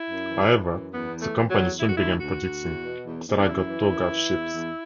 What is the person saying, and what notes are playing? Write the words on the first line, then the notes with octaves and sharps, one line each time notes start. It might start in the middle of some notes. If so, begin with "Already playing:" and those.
However, the company soon began producing Saratoga Chips.
Already playing: E4
F#2
E3
E3
F#2
E2 B3
E3
A3
E2
F#3
E2
D3 E4
F#4
D2 E4
D2 F#4
D2
E2
B2
E2
E2
D4
F#2 E4
E3
F#2
E3
E2
E2